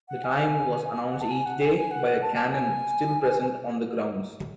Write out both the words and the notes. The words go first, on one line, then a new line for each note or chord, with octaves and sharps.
The time was announced each day by a cannon still present on the grounds.
F#5
G#5
F#5
A5
G#5
F#5
G#5
G#5
F#5
A5
A5
G#5